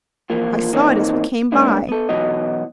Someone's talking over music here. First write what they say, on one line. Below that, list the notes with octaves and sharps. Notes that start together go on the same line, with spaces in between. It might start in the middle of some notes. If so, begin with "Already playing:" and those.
I saw it as we came by.
E3 F3 A#3 F4
D#3 E3 A#3 C4 C#4 D#4
G#3 A#3 B3 C#4 D4 E4
B3 A4
B2 E3 F#3 B3 F#4 D#5